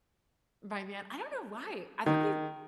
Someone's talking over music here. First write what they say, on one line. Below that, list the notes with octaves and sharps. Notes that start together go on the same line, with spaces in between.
by then I don't know why, everybody
D#3